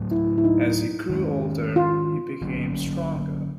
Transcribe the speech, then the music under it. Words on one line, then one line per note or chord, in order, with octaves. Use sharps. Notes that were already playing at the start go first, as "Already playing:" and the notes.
As he grew older he became stronger.
Already playing: A2 F#3 A3
E4
E4
D#4
D#3 G#3 C#4
F4
D3 F#3 A#3 C#4